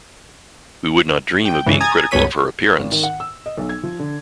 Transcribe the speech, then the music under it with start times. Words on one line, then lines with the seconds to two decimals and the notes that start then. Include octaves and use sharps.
We would not dream of being critical of her appearance.
1.45 G5
1.66 G2 C#3 E3 G#3
1.81 G#5 A#5 D#6 G#6 A6
2.11 C#2 G2 B3 C#5 B6 D#7
2.79 G#1
2.92 D#3
3.03 F#5
3.20 E6
3.46 D#5
3.58 B1
3.69 G#6
3.83 F3
4.00 D3